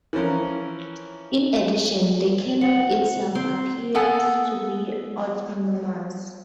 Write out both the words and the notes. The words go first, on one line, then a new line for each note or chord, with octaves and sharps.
In addition, the cannon itself appears to be autonomous.
E3 F3 C#4 A#4
F#5
C4 C5
B3 A4 F#5 G#5